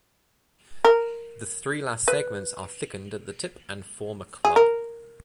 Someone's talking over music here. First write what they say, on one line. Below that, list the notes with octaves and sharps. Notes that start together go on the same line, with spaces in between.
The three last segments are thickened at the tip and form a club.
A#4
B4
G#4
A#4